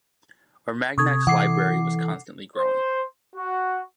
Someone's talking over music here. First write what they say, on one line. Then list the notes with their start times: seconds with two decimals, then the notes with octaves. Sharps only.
Armagnac's library was constantly growing.
0.98 C3 A4 C#6 D#6 G#6
1.27 E3 F#5 D6 C7
2.56 C5
3.36 F#4